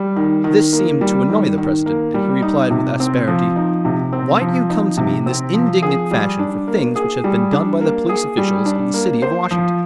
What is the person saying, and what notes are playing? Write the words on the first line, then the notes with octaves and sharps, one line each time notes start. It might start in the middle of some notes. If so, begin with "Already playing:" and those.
This seemed to annoy the President and he replied with asperity, "Why do you come to me in this indignant fashion for things which have been done by the police officials of the city of Washington?"
Already playing: G3
D#3
D#3
A#3
G3
D#3
D#3
A#3
G3
D#4
C3
C4
F3
D#4
C3
C4
F3
D#4
C3
C4
F3
G#4
G3
D4
A#3
G#4
G3
D4
A#3
G#4
G3
D4
A#3
C5
F3